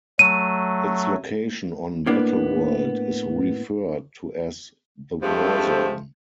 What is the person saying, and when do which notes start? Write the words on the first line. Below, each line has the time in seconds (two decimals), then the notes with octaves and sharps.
Its location on Battleworld is referred to as the Warzone.
0.19 F#3 A3 D#7
2.06 A2 A#3 B3 D4
5.22 G2 F3 G#3 A3 C4